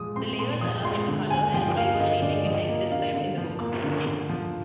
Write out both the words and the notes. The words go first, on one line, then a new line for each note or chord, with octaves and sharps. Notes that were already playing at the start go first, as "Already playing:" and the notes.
The layers allow for the colour and flavour changing effects described in the book.
Already playing: A#2 F3 G#3 D#6
C4 C6
A#2 C6
F3 D#6
G#3 C6
D3
D3 G#5
F3 G5
A#3 F5
D3 D#5
D3 D5
F3 D#5
A#3 D#5
D3 F5
D3
F3
A#3
D3
D3
F3